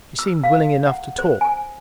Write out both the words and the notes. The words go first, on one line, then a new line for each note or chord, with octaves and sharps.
She seemed willing enough to talk.
E6
F5
F#5
C5
G#5